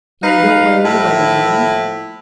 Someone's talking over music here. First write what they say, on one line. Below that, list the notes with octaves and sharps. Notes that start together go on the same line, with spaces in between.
"And you don't wear your wedding-ring?"
D#4 B4 F5
A2 F3 E4